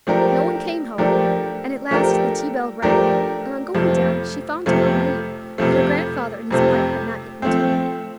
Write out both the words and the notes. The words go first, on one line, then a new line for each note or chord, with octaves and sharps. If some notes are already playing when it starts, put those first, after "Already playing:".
No one came, however, and at last the tea-bell rang, and on going down she found to her relief that her grandfather and his wife had not yet returned.
F3 A3 D4 G4 A#4
F3 A3 D4 G4 A#4
F3 A3 D4 G4 A#4
F3 A3 D4 G4 A#4
F2 C3 F3 A3
F2 C3 F3 A3
F2 C3 F3 A3
F2 C3 F3 A3
F3 A3 C4